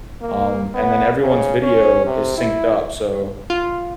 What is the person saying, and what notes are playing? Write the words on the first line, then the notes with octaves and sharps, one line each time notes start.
um, and then everyone's video is synced up. So,
A#3
B3
C#3
C#4
C3
E4
F4